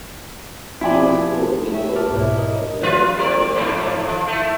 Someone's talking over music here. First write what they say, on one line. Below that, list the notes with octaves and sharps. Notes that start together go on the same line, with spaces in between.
He was born in Fulda and died in Wittenberg.
F3 E4 D5 G#5
G4 C#5 E5
A5 D6 F6
C2 G#2 B2 E4
A#4 D#5
F3 F4 B4
C4 A#4 D5
F2 G#2 A#3
F3
A3 E4